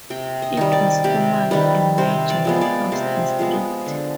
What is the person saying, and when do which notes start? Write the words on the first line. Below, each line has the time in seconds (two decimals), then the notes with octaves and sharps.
It was formerly a major warehouse district.
0.10 C3 G5
0.42 D#5
0.57 D#3 G3
0.72 D5
1.04 C3 G4
1.51 D#3 G3 B4
1.98 C3 C5
2.30 D5
2.45 F3 G#3 B3
2.61 D5
2.92 C3 C5
3.39 F3 G#3 B3
3.86 D3